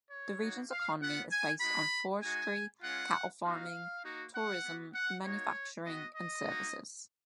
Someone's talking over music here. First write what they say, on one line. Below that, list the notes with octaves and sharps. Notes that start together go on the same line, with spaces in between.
The region's economy is based on forestry, cattle farming, tourism, manufacturing, and services.
C#5
A#3 D#4 F#4
F5
B3 F4 F#5
G#5
G#3 D#4 F#4 B5
G#3 D#4 F#4 G#5
G#3 C#4 F4 F#5
B3 D#4 F#4 F5
A#3 D#4 F#4
F#5
B3 F#4
F#5
A#3 D#4 F#4 C#5
B3 F#4 D#5
D#5
A#3 D#4 F#4